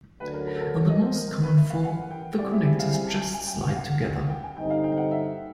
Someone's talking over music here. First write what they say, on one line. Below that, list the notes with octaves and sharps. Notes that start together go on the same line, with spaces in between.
In their most common form the connectors just slide together.
D2 D3 F#3 B4
A#4
A#4
A4
A#4
A#4
D#5
C5
A#4
A#4
B4
E5
F5
F#5
G5
G3 C4 E4 G#4 D5
E5
E5
F5
G#5
A5
G#5
G#5
G5
F#5
F5
F#5
F5
F#5
G5
G#5
G2 D3 G3 C4 D#4 G5
F5
G5
F#5
E5